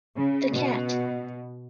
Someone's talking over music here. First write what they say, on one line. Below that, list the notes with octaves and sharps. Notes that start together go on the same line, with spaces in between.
The Cat.
C#3
B2